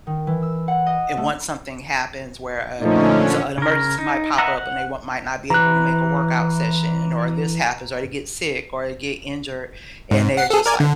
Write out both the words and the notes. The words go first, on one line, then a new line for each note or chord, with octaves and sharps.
and once something happens where a so, an emergency might pop up and they want might not be able to make a workout session or this happens or they get sick or they get injured, and they are just, like
D#3
E3
E6
F#5
D#5
A3
A#2 D3 F3 A3 C#4 D#4
C#3 A#4
D#4
B4 D#5 E5 F#5 A#5
F#5
E3 A#5 F#6
G#2
F#5 C7
G#4 A4
A#4 D5 G#5
D3